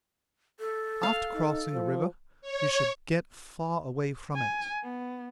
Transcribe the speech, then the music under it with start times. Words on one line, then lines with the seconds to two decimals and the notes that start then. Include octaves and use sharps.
After crossing a river, you should get far away from it.
0.60 A4
1.03 F5
1.35 D#4
1.74 F3
2.41 C#5
4.35 G#5
4.83 B3